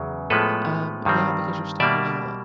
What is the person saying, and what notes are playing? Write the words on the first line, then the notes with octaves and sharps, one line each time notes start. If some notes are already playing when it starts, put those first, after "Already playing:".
Um, yeah, because you're starting out
Already playing: E2 C#3 F#3
A2 F3 G#3 B3 A4 B4
G2 D#3 G3 C4
B2 G3 A#3 D5 E5